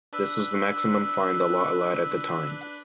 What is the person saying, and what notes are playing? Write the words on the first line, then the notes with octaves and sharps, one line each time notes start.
This was the maximum fine the law allowed at the time.
D4 B4 E6